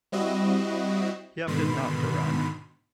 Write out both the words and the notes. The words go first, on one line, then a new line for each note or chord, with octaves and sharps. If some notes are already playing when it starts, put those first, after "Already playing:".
He opted not to run.
G3 C4 E4 F#4 D#5
G#2 B2 D3 D#3 B5 C6